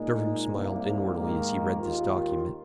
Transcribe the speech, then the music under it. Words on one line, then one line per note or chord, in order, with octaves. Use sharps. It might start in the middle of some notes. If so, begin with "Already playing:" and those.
Durham smiled inwardly as he read this document.
Already playing: A#2 G#3 D#4
C2 C3 G3 A#3
G#2 D#3 A#3
D#2 D#3 A#3 F4